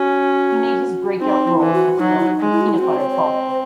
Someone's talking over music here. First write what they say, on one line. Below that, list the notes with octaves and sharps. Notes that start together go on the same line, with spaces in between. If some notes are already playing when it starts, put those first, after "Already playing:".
He made his breakout role for the film "The Peanut Butter Falcon".
Already playing: C#4 F#4
C4 D#4
E4
E3
F#4
F#3 D#4
E4
D#4
G#3
E4
F#4
E4
C4 F#4
C#5
C#5
D#5
C5